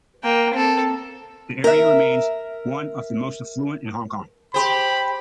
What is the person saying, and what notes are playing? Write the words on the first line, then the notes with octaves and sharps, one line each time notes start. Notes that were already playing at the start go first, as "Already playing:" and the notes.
The area remains one of the most affluent in Hong Kong.
A#3 G5
C4 A4
A#4 E5
G4 C5 B5